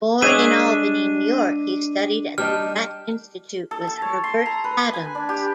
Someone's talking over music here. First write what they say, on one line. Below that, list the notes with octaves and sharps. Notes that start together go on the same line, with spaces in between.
Born in Albany, New York, he studied at the Pratt Institute, with Herbert Adams.
G#3 D4 G#4 C#5 E5 D#7
G3 D4 D#4 F6
A4
A5
C#5
C6
A#5
B4
G#5
D4
G4